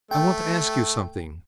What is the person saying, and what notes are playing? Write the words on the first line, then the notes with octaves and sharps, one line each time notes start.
I want to ask you something.
A3 G5